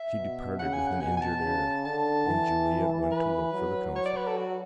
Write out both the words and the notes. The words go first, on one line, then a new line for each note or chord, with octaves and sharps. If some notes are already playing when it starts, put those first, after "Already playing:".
She departed with an injured air, and Juliet went to look for the consul.
Already playing: E5
B2
C#3 F#5
G#5
F#5
B2 G#5
G#5
A5
C#3
D3 A5
E3
B4
F#3
C#5
D5
B4
A4
F#4